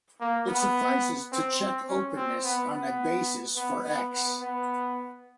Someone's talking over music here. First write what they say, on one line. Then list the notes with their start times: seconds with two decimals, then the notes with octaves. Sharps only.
It suffices to check openness on a basis for "X".
0.21 A#3
0.48 B3
1.32 C4
1.60 C4
1.88 C#4
2.16 C4
2.44 B3
2.72 B3
3.56 B3
3.84 B3
4.13 B3
4.41 B3